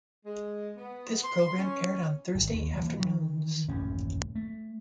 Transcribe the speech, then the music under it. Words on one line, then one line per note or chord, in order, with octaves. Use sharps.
This program aired on Thursday afternoons.
G#3
B3
C6
C#4
G#1
D#2
E3 G3 A#3
D#3 E3
D#1 A1 F#2 C#4
A3